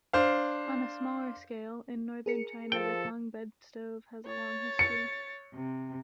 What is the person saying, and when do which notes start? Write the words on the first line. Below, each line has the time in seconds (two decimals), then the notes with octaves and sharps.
On a smaller scale, in Northern China the Kang bed-stove has a long history.
0.13 D4 C5 F5
2.26 G#4 A#4 C#7
2.72 F3 A4 G5
4.27 C#5 A6
4.79 C#7
5.54 C3